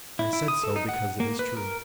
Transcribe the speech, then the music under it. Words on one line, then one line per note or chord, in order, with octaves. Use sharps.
"I said so, because it is true."
E4
E4
D#6
A4
D#4
F#5
A#3
B4
A#4